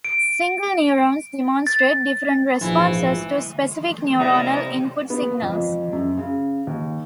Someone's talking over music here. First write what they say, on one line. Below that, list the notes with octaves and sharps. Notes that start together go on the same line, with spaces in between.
Single neurons demonstrate different responses to specific neuronal input signals.
D7
A6
A#1 G#2 E3 F3
C3 G3 A#3 D#4 E4 A#5 D#6
B3
F2
F#2
C#3
D#2